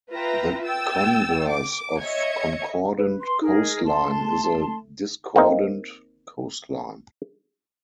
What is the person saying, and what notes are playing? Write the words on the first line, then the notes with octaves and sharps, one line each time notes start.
The converse of concordant coastline is a discordant coastline.
F4 B4 E5 G5 A#5 A#6
G5 E6 A6
D6
C#5 D#5 E5 G#6 C#7
B4
C6
D#4 G#4 A#4
A3 A5 C6
A#3 C4 D#4